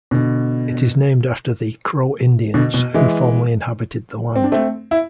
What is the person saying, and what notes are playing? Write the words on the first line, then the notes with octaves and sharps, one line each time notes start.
It is named after the Crow Indians who formerly inhabited the land.
B2 D3
B2 D3
B2
E3 G#3
C4
D4
A3 C4
E4